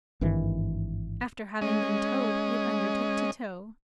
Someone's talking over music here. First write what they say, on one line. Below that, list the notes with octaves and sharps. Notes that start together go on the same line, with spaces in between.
After having been towed, it undertook to tow.
G#1 G2 D#3 E3
G#3 C#4 D#5